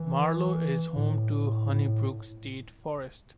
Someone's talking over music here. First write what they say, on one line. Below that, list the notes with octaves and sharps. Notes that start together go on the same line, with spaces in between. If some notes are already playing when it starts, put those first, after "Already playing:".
Marlow is home to Honey Brook State Forest.
Already playing: E3
A2
G#2
A2